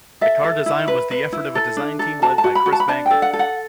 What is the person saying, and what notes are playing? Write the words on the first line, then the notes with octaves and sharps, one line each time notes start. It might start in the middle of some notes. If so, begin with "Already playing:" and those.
The car design was the effort of a design team led by Chris Bangle.
A4 E5
A4
E4
B4
B4
E4
A4
D4
A4
F#4 A5
A5
F#4
B5
F#4
A5
B5
D4 A5
A4 G5
F#5
A4
F#5